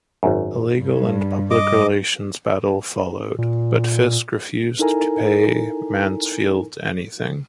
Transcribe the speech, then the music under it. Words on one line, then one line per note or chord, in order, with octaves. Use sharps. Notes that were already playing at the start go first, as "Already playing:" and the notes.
A legal and public relations battle followed, but Fisk refused to pay Mansfield anything.
G#1 F#2
G2
D#5 D6
A#2
D#4 E4 A4 A#4 G#5 A#5